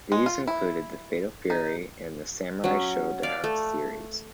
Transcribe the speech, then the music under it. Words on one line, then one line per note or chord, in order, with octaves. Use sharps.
These included the Fatal Fury and the Samurai Shodown series.
G#3
F4
E4
D#4
F#3 C#4
D5 F5
A3